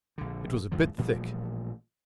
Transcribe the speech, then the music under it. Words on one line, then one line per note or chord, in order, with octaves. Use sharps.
It was a bit thick.'
A#1 D3
E2 G#2 D3 F3
A1 A#2 F3 G3